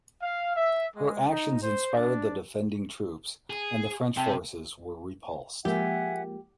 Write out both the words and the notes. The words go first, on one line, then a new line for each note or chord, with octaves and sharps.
Her actions inspired the defending troops and the French forces were repulsed.
F5
E5
G#3
D#4
C5
D4
G#4
C3 G5 A5
F3 G#3 A#3 G4 E5 F#5 G#5